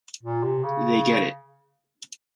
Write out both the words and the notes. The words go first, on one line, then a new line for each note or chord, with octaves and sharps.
They get it.
A#2
C3
C#3